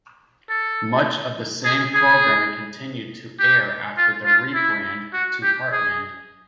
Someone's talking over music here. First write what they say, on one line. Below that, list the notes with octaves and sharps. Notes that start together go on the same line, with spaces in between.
Much of the same programming continued to air after the rebrand to Heartland.
A4
G#4
G#4
G4
F4
F4
E4
F#4
G4
G#4